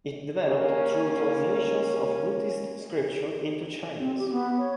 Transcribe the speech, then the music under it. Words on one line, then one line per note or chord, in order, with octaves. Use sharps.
It developed through translations of Buddhist scripture into Chinese.
D#2 A#3 C#4
C4
G4
B3
C#5